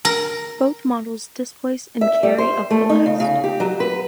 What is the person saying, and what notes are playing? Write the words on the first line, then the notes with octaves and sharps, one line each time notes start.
Both models displace and carry of ballast.
A#4
E5
G3
C5
A3
D#4
C#3
C#3
G4
F#3
B4